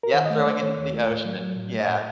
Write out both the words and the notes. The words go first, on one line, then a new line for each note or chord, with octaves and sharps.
yep, throwing it into the ocean. Yeah.
A#4
D#3 C5
D#5
A3
C#5
A3 C5
D#3 C#5
D#2
A3
A2
F#3
F#3
A2
A3
D#5
A2